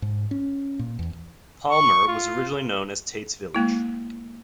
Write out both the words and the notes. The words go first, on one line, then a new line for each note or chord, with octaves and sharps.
Palmer was originally known as "Tate's Village".
G#2
C#4
A#2
E2
C#6
F4
G#3 A#3 E4